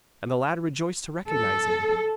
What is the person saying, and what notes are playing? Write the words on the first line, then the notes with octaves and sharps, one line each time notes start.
And the lad rejoiced to recognise him.
A4